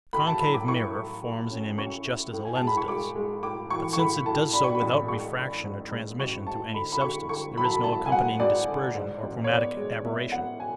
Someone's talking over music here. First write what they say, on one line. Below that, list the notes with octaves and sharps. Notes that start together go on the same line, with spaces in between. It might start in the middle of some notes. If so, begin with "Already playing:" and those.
A concave mirror forms an image just as a lens does, but since it does so without refraction or transmission through any substance, there is no accompanying dispersion or chromatic aberration.
A2 B5
A5
F#3 B5
D6
E4 C#6
A2
A2
C#4
C#4 C#6
E4
A2
G#5
A5
G#3
B5
C#6
G#3 D6
G#3
A2 D6
E3 C#6
C#6
A2 B5
A2 A5
D4 B5
C#6
B5
A1
G#3 C#6
D4
G#2
G#2
A1 C#6
G#2 A5
D3 B5
B5
D3 C#6
D3 C#6
F#3 B5
A5
B5
G#1 A5
G#5
G#1 F#5
G#1 D5
D3
G#2
A1
C#5
B3 D5
G#3
B3 E5
B3 F#5
G#5